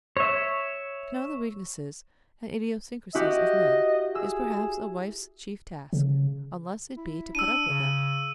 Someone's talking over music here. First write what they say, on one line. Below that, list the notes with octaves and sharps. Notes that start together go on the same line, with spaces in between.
To know the weaknesses and idiosyncrasies of men is perhaps a wife's chief task; unless it be to put up with them.
C#5 E5
E4 F#4 G4 D#5
G#4 E6
C#3
E4
D4 E6 D#7
C#3